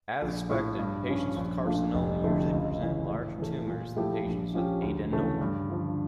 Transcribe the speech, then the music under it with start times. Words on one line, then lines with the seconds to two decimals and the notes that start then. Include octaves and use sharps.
As expected, patients with carcinoma usually present larger tumors than patients with adenoma.
0.21 A#1
0.50 A2 F3
0.79 G2
1.08 F3 C#4
1.36 A#1
1.65 A#2 A3 D4 F4
1.94 F1
2.22 F2 D3 A3 E4
2.51 C#2
2.81 C#3 E3
3.10 A2
3.39 E3 A3
3.67 A#2
3.96 F3 A3 E4 G4
4.25 A#1
4.54 A#2 F3 C#4 G4
4.82 D2
5.11 C#3 E3 A3 C#4
5.41 G2
5.69 D3 F3